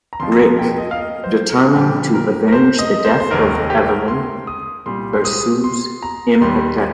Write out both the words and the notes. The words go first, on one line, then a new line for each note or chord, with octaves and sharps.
Rick, determined to avenge the death of Evelyn, pursues Imhotep.
A#5
F1 F2 F3 C6
A#5
G5
D#5
F5
D#5
C5
A#4
A#1 A#2 G3 G4
A#4
A#4
C5
D#5
C5
C5
F1 D#2 D#3 A#4
A#4
G4
A#4
C6
D#6
C2 A#2 G3 C6
C6
D#6
C6
A#5
D#2 D#3 G3 C6